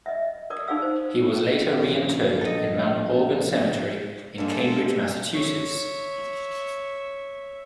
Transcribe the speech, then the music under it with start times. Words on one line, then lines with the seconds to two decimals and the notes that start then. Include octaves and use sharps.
He was later reinterred in Mount Auburn Cemetery in Cambridge, Massachusetts.
0.06 D#5 E5
0.50 A#4 D5 D#6
0.68 D#4 G#4 D5 F5 E6
0.82 C5
1.74 A#1
2.41 A4 D#5
4.38 G#2 G#3 A#3 D4 A4
5.32 C#5 E5